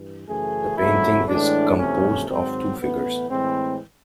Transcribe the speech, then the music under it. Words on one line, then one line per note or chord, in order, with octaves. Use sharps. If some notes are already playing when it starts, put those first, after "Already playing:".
The painting is composed of two figures.
Already playing: G2 E3
F#2 C#3 E3 A3 G#4
F2 C#3 F#3 A3 E4
A2 E3 G#3 D4
E2 C3 F3 A3 C#4
G#2 D#3 F#3 C4
A2 E3 A3 B3
A2 E3 G#3 C4